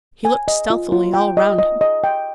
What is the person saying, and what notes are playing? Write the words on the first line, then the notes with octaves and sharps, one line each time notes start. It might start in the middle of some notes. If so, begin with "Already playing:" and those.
He looked stealthily all round him.
G#5
D#5
F4
F4
G5
D#5
D#5
D#5
G5